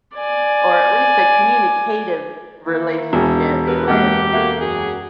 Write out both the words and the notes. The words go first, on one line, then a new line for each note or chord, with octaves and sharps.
or at least a communicative relationship with
D5 G#5
D#3 A#3 E4
E1
B3 G4 G#4 A#4 B4
F#2 E3 G#3 A#3 C4 G4 F#5
A#3 F#4 A4 E5
F#2 F#4 G#4